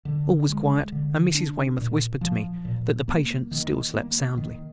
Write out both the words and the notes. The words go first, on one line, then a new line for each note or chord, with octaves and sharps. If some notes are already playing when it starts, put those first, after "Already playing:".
All was quiet, and Mrs. Weymouth whispered to me that the patient still slept soundly.
D3
G#3
D3
D4
A#2
F3
A#2
A#3
D#3
A#3
D#3